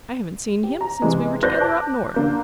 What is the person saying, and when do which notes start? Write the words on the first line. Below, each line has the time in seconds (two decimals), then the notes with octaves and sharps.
I haven't seen him since we were together up North.
0.63 G4
0.81 A#5
1.02 C3 E3 G#3
1.43 B4 C5 D5 F#6 G6 A#6
1.61 A5 D6
2.14 D3 A#3 G6